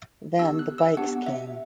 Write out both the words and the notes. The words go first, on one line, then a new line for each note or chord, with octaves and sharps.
Then the bikes came.
B3 D4 G4 E6
F#6
E6
B3 D4 G4 F#5
E5